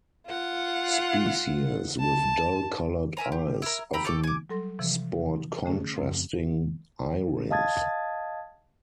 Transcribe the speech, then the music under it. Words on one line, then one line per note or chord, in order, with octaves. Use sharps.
Species with dull coloured eyes often sport contrasting eyerings.
F4 F#5
A5
A#4 E5 G#5 A#5
G4
E4 A#4
G5 A#5 B5 E6
G4 A4 C#6 D6
G#5 D6
F#3 G3 A4 C6 A#6
C3 E3 F3
D3 A3 C#4 G#4
F#2 F3 C4
D#5 F5 A5 D#6 G#6 A6